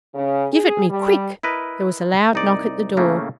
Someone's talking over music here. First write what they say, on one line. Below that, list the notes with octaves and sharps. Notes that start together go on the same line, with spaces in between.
"Give it me, quick!" There was a loud knock at the door.
C#3
G#4
G3
E4 A#4 B4 D#5
C2 D#4 D5
A2 C#3 A3 A#3 C#4